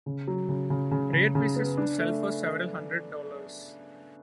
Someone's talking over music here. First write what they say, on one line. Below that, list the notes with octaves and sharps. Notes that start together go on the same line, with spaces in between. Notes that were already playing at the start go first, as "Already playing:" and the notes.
Rare pieces may sell for several hundred dollars.
C#3
F#3
C#3
C#3
C#3
C#3
C#3
B3
D4
A3